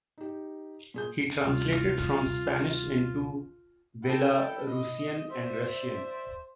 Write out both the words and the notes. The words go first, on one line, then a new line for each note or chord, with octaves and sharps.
He translated from Spanish into Belarusian and Russian.
D#4 G4
A#2 G#4 G6
D2 C3 G3 F4
E4 A4 G5
D#5
C5 D5 E5